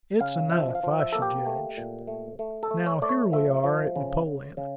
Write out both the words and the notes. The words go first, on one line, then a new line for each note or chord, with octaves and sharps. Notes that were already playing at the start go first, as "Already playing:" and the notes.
It's enough, I should judge. Now here we are at Napoleon.
C#3 F5
F3 E5
F5
F3
E5
A#3 A4
G4
A3
A#2
A3
A3
A4
A3
C#5
A3 D5
C#5
F3 E5
F3
C#3
C#3
C#3